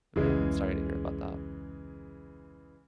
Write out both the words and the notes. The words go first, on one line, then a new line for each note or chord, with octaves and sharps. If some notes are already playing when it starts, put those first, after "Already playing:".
Yeah. I'm sorry to hear about that.
F1 C#2 C#3 E3 G#3